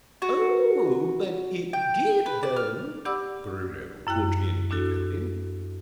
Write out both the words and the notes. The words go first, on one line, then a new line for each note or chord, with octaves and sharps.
"Oh, but it did though!" Bruno put in eagerly.
F#4
G5
B4
D5
F6
G4 D5 F#5 B5 D6 E6
F#2 E4 G5 F#6
D4 E4 F#4 A4